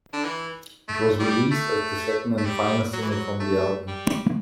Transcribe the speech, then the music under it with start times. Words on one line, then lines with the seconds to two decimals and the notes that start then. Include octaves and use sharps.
It was released as the second and final single from the album.
0.13 D3
0.25 E3
0.88 A3
1.20 G3
1.51 A3
2.38 A3
2.45 G3
2.93 F#3
3.02 E3
3.11 F#3
3.40 A3
3.87 G3